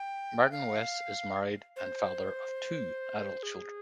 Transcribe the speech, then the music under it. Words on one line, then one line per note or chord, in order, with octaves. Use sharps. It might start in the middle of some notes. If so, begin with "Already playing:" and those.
Martin Weiss is married and father of two adult children.
Already playing: G5
F5
C5
G#4